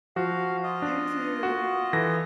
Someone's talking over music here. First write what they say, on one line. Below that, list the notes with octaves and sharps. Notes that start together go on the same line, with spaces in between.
You too.
F3 F#4 F5
F4 D#5
D4
F#4
E3 A4 A#6